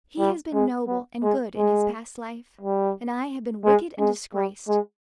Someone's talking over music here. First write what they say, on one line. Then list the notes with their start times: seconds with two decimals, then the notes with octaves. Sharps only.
He has been noble and good in his past life, and I have been wicked and disgraced.
0.19 G3
0.54 G#3
0.88 B3
1.23 G#3
1.58 G#3
2.61 G3
3.65 G#3
3.99 G#3
4.34 G3
4.68 G#3